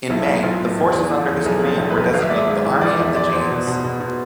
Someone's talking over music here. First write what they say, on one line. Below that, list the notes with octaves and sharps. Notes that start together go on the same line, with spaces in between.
In May, the forces under his command were designated the Army of the James.
B1 E4
B1
B1 F4
A2
E2
E2
F3
E2
A4
B1 G#4
F3
A4
B1
B4
B1
G#1 F5
E5
G#2 D5
E5
G#2
E3
F3 D5
E2 E5
E2 D5
E2 C5
B2
B2
B2
B2